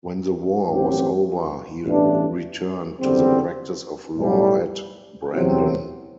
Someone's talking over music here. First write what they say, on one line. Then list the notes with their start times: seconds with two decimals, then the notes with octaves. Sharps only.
When the war was over, he returned to the practice of law at Brandon.
0.67 A1 G2 F#3 C4 G4
1.84 A1 G2 E3 B3 D4
3.00 F#1 E2 D3 G3 C4
4.17 B1 A2 G3
5.33 E2 C3 F#3 C4